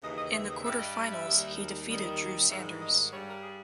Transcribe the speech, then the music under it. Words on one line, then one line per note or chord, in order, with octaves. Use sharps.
In the quarterfinals he defeated Drew Sanders.
D#2 C#3 E3 D#5
D#5
E5
D#5
G2 G3 E5
D#5
E5
D#2 D#3 G3
D#2 D#3 G3
G#2 D#3 G3 E5
D#5
G2 G3 C#5
A#4
G#4